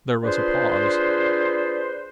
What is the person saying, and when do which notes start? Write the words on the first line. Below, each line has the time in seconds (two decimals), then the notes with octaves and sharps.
There was a pause.
0.24 D4 F4 G#4 B4 C5